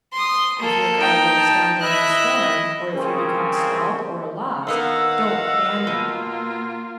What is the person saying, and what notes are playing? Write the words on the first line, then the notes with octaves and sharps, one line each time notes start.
If your car breaks down during a storm, or if you become stalled or lost, don't panic.
C6 D#6
A#3 A4
D#4 G5
A5
E4 D#5 E5 F#6
C#3 G3 A#3 C4 C#4 G#4
D#3 A#3 B3 D#5 F5 F#5 E6
B2 A#3 F4